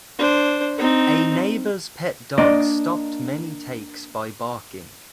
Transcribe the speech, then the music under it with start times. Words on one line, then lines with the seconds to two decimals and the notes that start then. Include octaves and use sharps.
A neighbor's pet dog stopped many takes by barking.
0.19 D4 C5
0.78 C4 D#4
2.38 A#3 D4 D5 D#5